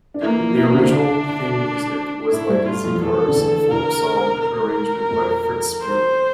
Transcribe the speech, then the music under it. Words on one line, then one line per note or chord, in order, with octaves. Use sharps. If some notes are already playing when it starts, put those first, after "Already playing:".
The original theme music was, like "Z-Cars", a folk-song arrangement by Fritz Spiegl.
D4
E3 A#3 E4
F3 F4
F4
E3 E4
E4
D3 D4
D4
A2 A3 E4
G2 G3
A2 A3 F4
F2 F3
E2 E3 A4
D3
E2 E3
E2 E3 A#4
A#4
F2 F3
C5